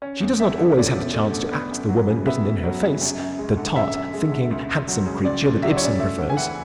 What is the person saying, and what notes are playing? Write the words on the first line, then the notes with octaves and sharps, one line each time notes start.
She does not always have the chance to act the woman written in her face, the tart, thinking, handsome creature that Ibsen prefers.
C#4
E2
A3 E5
D3
C#4 D5
E2
A3
D3
B3
F#2
F#3
C#3
B3 E5
F#2
F#3
C#3
F#2
F#2
G#3
D3
F#2 E5
F#2
G#3
D3
C#2
C#2
F#3
C#3
C#2 D5
C#2
F#3 E5
D5
C#5
C#3 D5
A3 E5
D2
G#5
E3 F#5